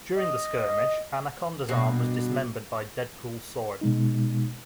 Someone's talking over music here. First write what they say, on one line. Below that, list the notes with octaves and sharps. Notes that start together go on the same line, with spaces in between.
During the skirmish, Anaconda's arm was dismembered by Deadpool's sword.
D#5
G2 B2
B2 G#3 D#4